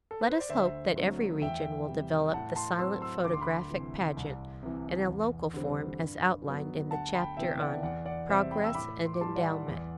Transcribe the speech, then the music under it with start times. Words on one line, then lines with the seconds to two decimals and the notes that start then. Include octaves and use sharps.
Let us hope that every region will develop the silent photographic pageant in a local form as outlined in the chapter on Progress and Endowment.
0.11 A4
0.21 B4
0.31 C5
0.40 D5
0.49 D2 C5 E5
0.96 D3 F#3 A3 C4
1.42 E2 E5 G5
1.87 C3 G3
2.33 A2 F#5 A5
2.56 A5 C6
2.79 F#3 C4 C6 E6
3.02 C6 E6
3.24 D2 D6
3.33 C6
3.41 B5 D6
3.70 C3 E3
4.17 C2
4.63 C3 E3
5.08 E2
5.54 D3 G3 C4
6.00 G2
6.46 F#3 B3
6.91 D2 F#5 A5
7.14 G5 B5
7.37 C3 E3 B3 E5 G5
7.60 D5 F#5
7.83 E2 D5 F#5
8.06 D5 F#5
8.29 C3 G3 C4 C5 E5
8.51 G5 B5
8.64 E6
8.75 A2 B5 D6
9.05 C6
9.14 D6
9.21 E3 G3 A5 C6
9.36 D5 F#5
9.67 E2